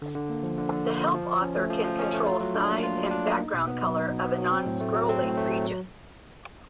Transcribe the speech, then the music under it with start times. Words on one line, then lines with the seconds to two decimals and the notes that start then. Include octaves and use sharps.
The Help author can control size and background color of a non-scrolling region.
0.02 D3
0.15 D3
0.29 A#3
0.43 F3
0.58 D3
0.72 D3
0.85 A#3
0.99 F3
1.14 F3
1.28 F3
1.42 C#4
1.57 A3
1.70 F3
1.84 F3
1.99 C#4
2.13 A3
2.27 F4
2.41 F#3
2.55 D4
2.69 A#3
2.83 F4
2.97 F#3
3.11 D4
3.25 A#3
3.40 D#4
3.54 B2
3.68 B3
3.82 F#3
3.96 D#4
4.10 B2
4.24 B3
4.38 F#3
4.52 C4
4.66 A2
4.80 A3
4.94 F#3
5.09 C4
5.23 A2
5.37 A3
5.51 F#3